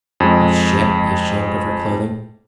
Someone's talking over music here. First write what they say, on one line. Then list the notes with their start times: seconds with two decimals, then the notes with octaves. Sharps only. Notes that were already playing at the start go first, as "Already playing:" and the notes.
You shan't be ashamed of her clothing.
0.20 F2 G#3